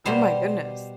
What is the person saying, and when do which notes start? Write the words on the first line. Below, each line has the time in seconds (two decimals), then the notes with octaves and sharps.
Oh my goodness.
0.05 B2 G3 C5